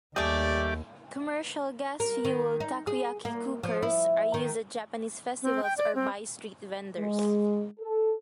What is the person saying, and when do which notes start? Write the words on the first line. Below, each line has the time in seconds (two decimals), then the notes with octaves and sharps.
Commercial gas-fueled takoyaki cookers are used at Japanese festivals or by street vendors.
0.16 D#2 G3 A3 G4 G#4 D5 D6
2.00 A#4
2.25 D#3
2.60 D#4
2.87 G#4
3.25 A#3
3.63 F3
3.83 E4
4.34 D#3
5.42 C4
5.63 G5
5.77 D5
5.95 C4
6.98 G#3
7.80 A4